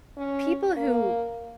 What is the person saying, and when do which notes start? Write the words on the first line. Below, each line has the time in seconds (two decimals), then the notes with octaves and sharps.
people who
0.17 C#4
0.77 A#3